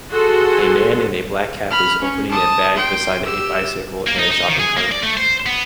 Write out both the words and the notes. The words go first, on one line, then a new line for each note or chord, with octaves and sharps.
A man in a black cap is opening a bag beside a bicycle and a shopping cart.
F#4 G#4 A4 F#5 C6
B5 F6
C#4
A5 D#6
G5 C6
G4 E6
A#3
D#4
D#4
D#3
G#4
A#3
D5
A3
C5
B3